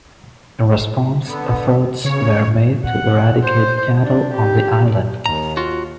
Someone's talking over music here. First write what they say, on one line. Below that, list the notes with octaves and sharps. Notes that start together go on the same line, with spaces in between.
In response, efforts were made to eradicate cattle on the island.
D3 B3
C#3 C#5
F#5
C5
D4
G4
D#2 A#5
F4 F#4